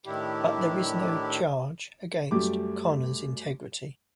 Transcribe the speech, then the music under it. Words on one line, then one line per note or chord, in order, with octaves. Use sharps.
But there is no charge against Connor's integrity...
A2 D#3 D4 E4 G4
F#2 G3 A3 G4 D6